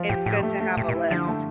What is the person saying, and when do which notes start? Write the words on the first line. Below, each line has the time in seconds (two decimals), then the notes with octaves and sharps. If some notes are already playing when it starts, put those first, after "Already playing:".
it's good to have a list.
Already playing: F3
0.09 A2 G4
0.26 A2 G4
0.43 A3
0.60 A3
0.77 A#2 G4
0.89 A#2
0.94 E4
1.11 D3 F3
1.28 A3